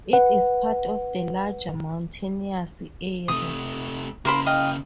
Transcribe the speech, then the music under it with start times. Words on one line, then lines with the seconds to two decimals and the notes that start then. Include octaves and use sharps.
It is part of a larger mountainous area.
0.13 B4 F#5
3.28 C3 A3 D#6
4.25 C#3 A#3 A#4 C5 B5
4.46 D#5 F5 G5